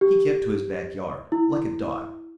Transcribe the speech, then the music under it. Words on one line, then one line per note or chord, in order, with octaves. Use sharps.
He kept to his back yard, like a dog.
G4
E4